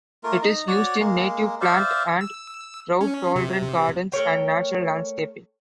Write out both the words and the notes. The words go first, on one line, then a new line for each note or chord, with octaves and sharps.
It is used in native plant and drought tolerant gardens and natural landscaping.
A3 A#3 F4 A#4
D#4 A#5
F#4 C#5 D5
G#3 A#3
C5 D5 E5 F5
E6
C#4
C3
A3 A#4 C#5 G5